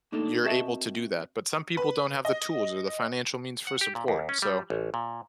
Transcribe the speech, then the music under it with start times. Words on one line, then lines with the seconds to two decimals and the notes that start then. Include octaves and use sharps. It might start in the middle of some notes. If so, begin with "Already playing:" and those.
you're able to do that. But some people don't have the tools or the financial means for support. So,
0.12 A3 A#3 D4 D#4 A4
0.43 C4 F#4 A#4 D#5 E5 A5
1.77 B4
2.25 D#5
3.67 F#5
3.81 G4
3.95 A#2
4.08 D#2
4.29 C#4
4.42 G3
4.70 A1
4.94 A#2